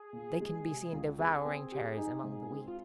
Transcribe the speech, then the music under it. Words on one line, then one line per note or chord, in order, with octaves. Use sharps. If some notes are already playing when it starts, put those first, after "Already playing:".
They can be seen devouring cherries among the wheat.
Already playing: G#4
A#2
G#3
C3
C#2
C4 G#4
C4
G4
D#4
G#2
C4
F4